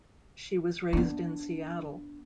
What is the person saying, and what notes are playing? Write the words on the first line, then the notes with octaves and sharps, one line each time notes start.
She was raised in Seattle.
B3 D4